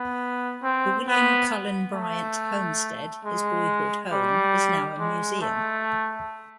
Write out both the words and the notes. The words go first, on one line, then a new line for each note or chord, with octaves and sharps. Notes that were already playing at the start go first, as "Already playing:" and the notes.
The William Cullen Bryant Homestead, his boyhood home, is now a museum.
Already playing: B3
C4
B3
A3
G#3
G3
G#3
A3